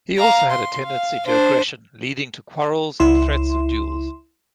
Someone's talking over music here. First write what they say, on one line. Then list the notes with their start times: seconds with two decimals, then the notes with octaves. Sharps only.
He also had a tendency to aggression leading to quarrels and threats of duels.
0.18 F5 A#5
0.51 C6
0.84 F5
1.26 D4 C5
3.00 C#2 E4 C6